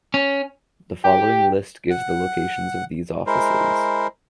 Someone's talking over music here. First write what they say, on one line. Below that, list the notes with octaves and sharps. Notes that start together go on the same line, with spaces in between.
The following list gives the locations of these offices.
C#4
G4
F#5
G#3 E4 A#4 C5